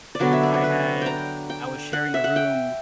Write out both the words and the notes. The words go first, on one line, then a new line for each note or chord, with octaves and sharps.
and I had I was sharing a room
D5
D3 F#3 B3 C#5
E5
D5
C#5
B4
G5 A#5
G5
F#5
E5
F#5
G5